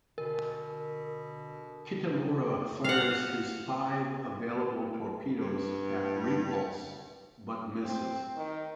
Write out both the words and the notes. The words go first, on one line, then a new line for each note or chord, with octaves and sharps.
Kitamura fires his five available torpedoes at "Repulse", but misses.
B2 D3 A#4
F5 F#5
G2
C4
D#3